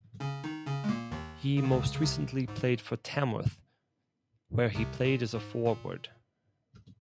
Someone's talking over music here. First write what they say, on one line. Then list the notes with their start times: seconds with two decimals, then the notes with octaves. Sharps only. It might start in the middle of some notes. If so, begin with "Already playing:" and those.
He most recently played for Tamworth, where he played as a forward.
0.20 C#3 C#4
0.44 D#3 D#4
0.66 C#3 C#4
0.84 G#3
0.89 A#2 A#3
1.11 D#2 D#3
1.57 C#3
1.64 D#3
1.71 C#2 C#3
1.95 C#3
2.02 C2 C3
2.48 G#2
4.75 C2 C3
5.05 A#2
5.35 G#2
5.65 A#2